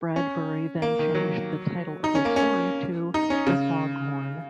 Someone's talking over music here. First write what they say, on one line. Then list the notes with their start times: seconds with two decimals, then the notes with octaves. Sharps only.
Bradbury then changed the title of his story to "The Fog Horn".
0.16 C#4
0.82 A#3
0.99 D#3
1.15 F#3
2.04 D#4
2.15 C#4
2.25 A#3
2.36 C#4
3.14 D#4
3.30 C#4
3.47 C#3